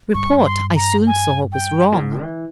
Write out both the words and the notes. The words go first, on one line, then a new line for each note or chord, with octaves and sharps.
Report, I soon saw, was wrong.
G2 C#6
C6
A#5
G#5
G5
A#2
G#2
E3